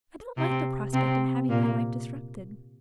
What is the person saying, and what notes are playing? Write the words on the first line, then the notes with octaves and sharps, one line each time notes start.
I don't like the prospect of having my life disrupted.
C3 C4
C3 C4
A#2 A#3